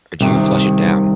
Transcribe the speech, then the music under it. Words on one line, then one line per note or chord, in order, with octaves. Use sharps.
or do you flush it down?
C2 C3 D#3